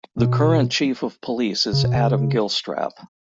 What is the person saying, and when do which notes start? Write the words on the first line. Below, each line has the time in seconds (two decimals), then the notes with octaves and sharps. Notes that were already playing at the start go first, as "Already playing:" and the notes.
The current chief of police is Adam Gilstrap.
0.19 B2
1.73 C#3
1.84 B2
1.95 C#3